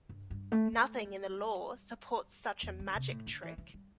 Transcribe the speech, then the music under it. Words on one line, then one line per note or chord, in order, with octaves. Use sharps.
Nothing in the law supports such a magic trick.
G2
G2
A3
A3
G3
E2
G3
D3
C3
A2
D3
E3
E3
G3